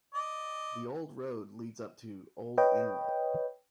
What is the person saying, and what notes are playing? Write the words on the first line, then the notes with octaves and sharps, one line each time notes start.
The old road leads up to Old Inlet.
D5 D#5
B4 C#5 D#5 G5